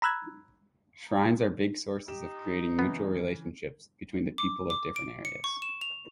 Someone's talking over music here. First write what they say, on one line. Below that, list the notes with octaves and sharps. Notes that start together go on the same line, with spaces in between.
Shrines are big sources of creating mutual relationships between the people of different areas.
A#5 B5 E6 F#6 G#6
D#4 G4 E7
C#3 E3 B3
D6
D6
D7
C#7
C#6
E7
F7